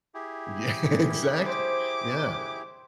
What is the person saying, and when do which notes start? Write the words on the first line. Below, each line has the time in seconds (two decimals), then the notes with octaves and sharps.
Yeah, exactly. Yeah.
0.14 E4 G4 G#4
1.46 C5 D6